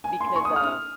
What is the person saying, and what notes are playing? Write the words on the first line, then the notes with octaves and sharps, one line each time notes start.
Because, uh
G#5
C6
C#6
D#6
F6